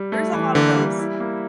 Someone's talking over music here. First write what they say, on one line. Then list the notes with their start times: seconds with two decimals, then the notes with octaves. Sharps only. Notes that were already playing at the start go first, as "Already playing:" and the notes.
There's a lot of those.
Already playing: G3
0.12 A3
0.33 E3
0.55 D3 A#3
0.76 G3
0.99 E4
1.20 A#3